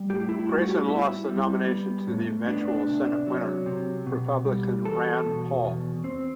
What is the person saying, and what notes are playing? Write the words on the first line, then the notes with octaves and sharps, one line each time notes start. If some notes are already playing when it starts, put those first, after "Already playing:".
Grayson lost the nomination to the eventual Senate winner, Republican Rand Paul.
Already playing: G3
A2 G4
E4
E4
G3 F#4
F#4
G4
B3 E4
G3
B3
A2
B3 D4
D4
C3
F#3
C3
B2
G3
E2 A4
B2
E2
C4